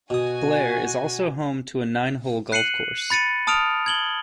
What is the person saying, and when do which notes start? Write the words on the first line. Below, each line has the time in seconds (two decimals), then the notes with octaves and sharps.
Blair is also home to a nine-hole golf course.
0.10 B2 F#4 G#5 D#6
2.52 F#6 C7 C#7 D#7 F#7
3.10 B5 A6 C#7 D#7
3.47 A5 D#6 F6 D7 F7
3.86 G#6 F#7 G7